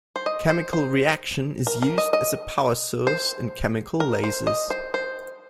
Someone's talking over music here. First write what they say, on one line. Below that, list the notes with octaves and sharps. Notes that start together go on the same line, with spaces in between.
Chemical reaction is used as a power source in chemical lasers.
C5
D#5
C5
C5
A#4
A#4
D#5
D#5
C5
A#4
C5
D#5
C5
C5